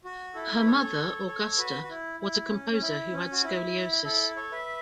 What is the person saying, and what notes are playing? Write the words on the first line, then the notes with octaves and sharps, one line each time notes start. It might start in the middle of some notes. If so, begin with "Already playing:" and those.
Her mother, Augusta, was a composer who had scoliosis.
F#4
E4 A4
B4
A4 C#5
A4 C#5
F#4 B4
F#4
E4
E4
C#4
C#4
E4
C#4
F#4
E4
E4 A4
A4 C#5
B4 E5